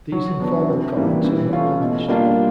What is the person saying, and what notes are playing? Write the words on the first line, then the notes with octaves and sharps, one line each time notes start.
These informal comments are not published.
F#3
B3 D4 F#4
C3
E3 G3 A#3
E3
A3 C#4 F4
B2
G3 A#3 D4 F4